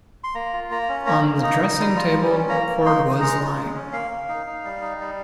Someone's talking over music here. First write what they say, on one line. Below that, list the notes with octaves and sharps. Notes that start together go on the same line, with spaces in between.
On the dressing-table a cord was lying.
C6
A#3 A#5
F4
A#3 A#5
C#4
A#3 A#5
A#3
D#4 A#5
D#4
G3
F4
G3
C#4
A#3 A#5
A#3
D#4 C6
D#4
G#3 A#5
F4
G#3
C#4
A#3 F5
A#3
D#4
D#4
G3
D#4
G3